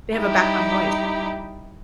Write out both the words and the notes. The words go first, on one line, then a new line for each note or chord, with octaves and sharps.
They have a background noise.
G3 D#4 E4 G4